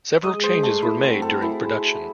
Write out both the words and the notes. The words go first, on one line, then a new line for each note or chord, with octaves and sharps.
Several changes were made during production.
G#3 D#5
C5
A3 A4
E4
C4 F#4
A4
E4 G#4